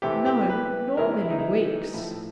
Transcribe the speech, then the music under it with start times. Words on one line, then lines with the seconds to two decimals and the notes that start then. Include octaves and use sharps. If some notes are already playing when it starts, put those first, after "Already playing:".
"No--nor many weeks."
0.02 C3 E3 A3 G4
0.26 G4
0.49 B4
0.97 C3 E3 G#3 A#4
1.21 E4
1.30 D#4
1.39 E4
1.93 A2 F3 A3